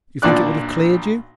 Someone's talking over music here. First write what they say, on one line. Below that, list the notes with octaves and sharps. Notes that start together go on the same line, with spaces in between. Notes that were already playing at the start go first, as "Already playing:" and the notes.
You think it would have cleared you.
B1 A#2 D4 D5 F#6